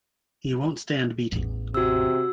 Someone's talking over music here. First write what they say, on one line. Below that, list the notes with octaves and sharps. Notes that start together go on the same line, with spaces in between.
He won’t stand beating.
A1 E2
C3 F#4 E6